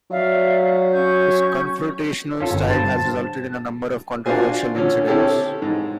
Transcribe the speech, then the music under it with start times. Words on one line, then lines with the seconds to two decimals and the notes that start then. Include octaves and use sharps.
His confrontational style has resulted in a number of controversial incidents.
0.11 F#3 D5 E5 F5
0.92 C#4 C#6 G6
2.40 C#4 F4 A4
2.52 G1
2.68 G2 C5 A5
2.96 A5
4.26 D4 F4 F#4 C5 G#5
4.75 A#2 D3 C#4
5.07 C4 C#4 E4 G4 A4
5.62 G#2